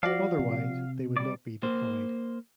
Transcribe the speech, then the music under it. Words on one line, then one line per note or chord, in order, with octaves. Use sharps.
Otherwise, they would not be deployed.
F3 F#4 D5 F5
C3
G3 D5
A#3 C5